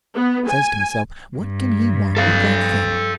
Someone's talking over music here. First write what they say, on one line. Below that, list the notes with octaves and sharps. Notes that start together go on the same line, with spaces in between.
I says to myself, what can he want with that thing?
B3
G#5
G2
A4 F5